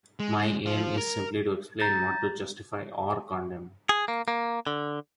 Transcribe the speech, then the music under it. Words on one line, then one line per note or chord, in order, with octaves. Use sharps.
My aim is simply to explain, not to justify or condemn.
G#3
F4 C5
A#4
A#5 G6 A6 A#6
G#4
A#3
A#3
D3